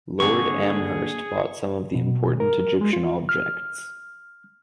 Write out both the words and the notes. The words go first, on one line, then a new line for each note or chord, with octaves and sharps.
Lord Amherst bought some of the important Egyptian objects.
G2 D3 A#3 C4 D4 G#4 C#6
B2
A#4
G#3
F4
F6